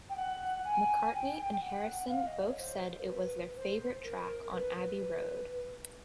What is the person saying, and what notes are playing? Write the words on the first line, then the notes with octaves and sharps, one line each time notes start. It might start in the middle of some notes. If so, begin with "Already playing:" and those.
McCartney and Harrison both said it was their favourite track on Abbey Road.
G5
F#5
G#5
G5
G5
F#5
F#5
F5
D#5
C#5
C5
A#4
B4
C5
A#4
B4
B4